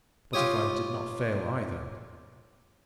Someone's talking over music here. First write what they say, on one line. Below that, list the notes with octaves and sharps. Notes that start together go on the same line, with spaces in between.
Butterflies did not fail either.
F4 G4 C#5 D#6